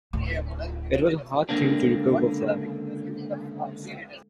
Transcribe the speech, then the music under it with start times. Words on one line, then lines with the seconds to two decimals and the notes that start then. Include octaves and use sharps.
It was a hard thing to recover from.
0.13 D1 E4
1.49 C#2 G2 D3 A#3 C4 D4